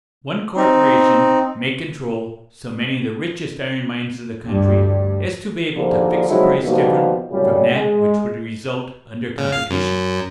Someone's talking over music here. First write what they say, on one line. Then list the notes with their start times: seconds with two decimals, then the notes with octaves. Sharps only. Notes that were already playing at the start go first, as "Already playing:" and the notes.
One corporation may control so many of the richest iron-mines of the country as to be able to fix a price different from that which would result under competition.
0.57 C4 D#4
4.46 D2 G2 G3
5.76 A#1 D#2 A#2 D3 F3
6.28 F3 F#3 G#3 C4 D#4 E4
6.64 D#2 B2 F3 G3 A#3
7.32 C2 F#2 A2 C#3 G3
7.73 G#3
9.38 C#3
9.52 F5
9.70 F#2